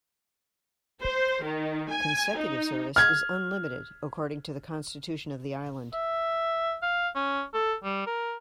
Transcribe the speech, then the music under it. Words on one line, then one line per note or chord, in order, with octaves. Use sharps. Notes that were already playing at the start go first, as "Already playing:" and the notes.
Consecutive service is unlimited, according to the Constitution of the Island.
C5
D#3
G#5
D#4
F6 G#6
E5
F5
C#4
A4
G3
A#4